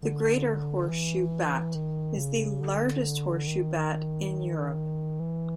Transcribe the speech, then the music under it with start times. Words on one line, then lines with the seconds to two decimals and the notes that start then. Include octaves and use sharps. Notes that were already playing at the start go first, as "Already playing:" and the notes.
The greater horseshoe bat is the largest horseshoe bat in Europe.
0.03 D3
0.89 E3
1.75 D#3
2.18 C#3
2.61 D3
3.47 D#3
5.20 E3